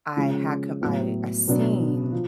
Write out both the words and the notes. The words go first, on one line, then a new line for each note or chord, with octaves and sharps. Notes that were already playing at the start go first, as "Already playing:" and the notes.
I had co I I seen
C#3 F3 G#3 C#4
A2 F#3 B3
B2 F#3 B3 D4
F3